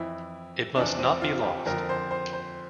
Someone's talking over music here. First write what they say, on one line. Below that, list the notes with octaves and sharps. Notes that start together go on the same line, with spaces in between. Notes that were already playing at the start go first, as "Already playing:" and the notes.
It must not be lost.
Already playing: F2 E3 E4
E2 C3 F3 D4
C4
F4
F4
G4
F2 D3 F3 A#4
C5
C5
C5